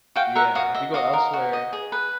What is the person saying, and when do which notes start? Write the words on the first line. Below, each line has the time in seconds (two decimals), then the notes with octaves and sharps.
Yeah, if you go elsewhere
0.16 F#4 F5 G5
0.35 A#4 E5 F#5
0.55 F#4 D#5 F5
0.74 D#5 E5
0.94 F#4 D#5 F5
1.13 A#4
1.33 F#4
1.53 D#5
1.73 G#4
1.92 B4